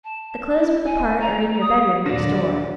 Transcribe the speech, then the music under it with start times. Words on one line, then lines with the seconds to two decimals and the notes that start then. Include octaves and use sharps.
The clothes for the part are in your bedroom next door.
0.04 A5
0.57 E4
0.86 G#5
1.20 A#5
1.61 D#6
2.06 D#2 A#2 D3 F#3 D5 A#6 E7